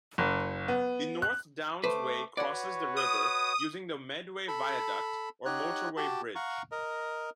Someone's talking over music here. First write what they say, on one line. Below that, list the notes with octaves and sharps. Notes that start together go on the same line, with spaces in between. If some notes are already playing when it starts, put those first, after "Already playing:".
The North Downs Way crosses the river using the Medway Viaduct or motorway bridge.
F#1
B3
F#6
A3 B4 C5 D6
F#4 B4 C#5 D5 F#5
D#6
A4 B5
D#4 G4 C#5 F#5 F#6
F#4 G4 A5
F5 F#5 A#5 C#6
A#4 D#5